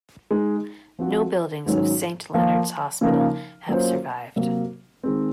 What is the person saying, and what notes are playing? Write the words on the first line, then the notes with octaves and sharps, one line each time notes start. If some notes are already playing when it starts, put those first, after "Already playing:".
No buildings of Saint Leonard's hospital have survived.
G#3 D#4 G#4
F3 C4 F#4
G#2 D#3 F#3 C#4
F3 A#3 F4
C#3 F3 A#3 D#4 A#4
F#3 A#3 C#4 F4 C5
C3 F#3 A#3
D#3 G#3 C4